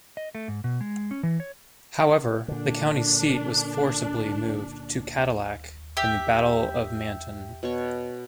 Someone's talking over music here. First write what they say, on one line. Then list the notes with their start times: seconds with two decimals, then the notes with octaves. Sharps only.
However, the county seat was forcibly moved to Cadillac in the Battle of Manton.
0.17 D#5
0.35 A3
0.48 G#2
0.64 B2
0.81 G#3
1.11 C#4
1.23 E3
1.40 C#5
2.48 A#2 D3 D4
5.97 G4 E5
7.63 B2 C#5 C#6